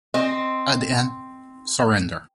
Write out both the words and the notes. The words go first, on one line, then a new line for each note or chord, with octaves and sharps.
At the end: surrender.
C4 D#5